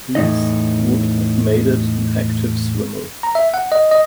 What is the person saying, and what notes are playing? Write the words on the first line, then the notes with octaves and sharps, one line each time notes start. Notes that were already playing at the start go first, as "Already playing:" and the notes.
These would have made it an active swimmer.
E2 A2 D#4 D#5
A#5
E5
F#5
D#5
D#5